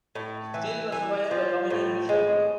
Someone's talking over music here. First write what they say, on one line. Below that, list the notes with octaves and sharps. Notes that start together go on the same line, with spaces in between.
Steel was provided by Dominion Bridge Company.
A2
E3
E3
F3
A2
G#3